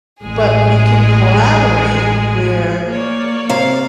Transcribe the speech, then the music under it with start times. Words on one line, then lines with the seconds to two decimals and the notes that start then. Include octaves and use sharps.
but we can collaborate where
0.23 A1 G#3 G#4
2.87 A#3 C#5 D5
3.49 C3 C5 F5 A#5